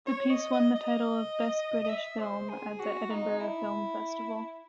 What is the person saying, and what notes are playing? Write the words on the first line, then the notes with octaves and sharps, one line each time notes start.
The piece won the title of 'Best British Film' at the Edinburgh Film Festival.
C#5
D#5
D#5
D#5
D#5
E5
C5
G#4
F#4
D#4
E4